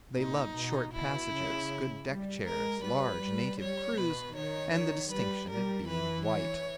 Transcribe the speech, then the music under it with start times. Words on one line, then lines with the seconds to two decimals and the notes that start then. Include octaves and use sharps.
They loved short passages, good deck-chairs, large native crews, and the distinction of being white.
0.16 A#2 D#4
0.54 B2
0.92 B2 E4
1.30 C#3
2.07 G3
2.45 G#3 A#4
2.83 G3 B4
3.21 G3
3.59 G3 C#5
3.97 B2 B4
4.35 D#3 C#5
4.73 C#5
5.11 G3 B4
5.49 G3 A#4
5.87 E3 B4
6.25 C#5